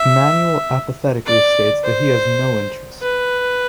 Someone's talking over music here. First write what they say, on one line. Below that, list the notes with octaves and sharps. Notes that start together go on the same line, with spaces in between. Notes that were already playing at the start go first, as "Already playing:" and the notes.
Immanuel apathetically states that he has no interest.
Already playing: E5
D5
C5
B4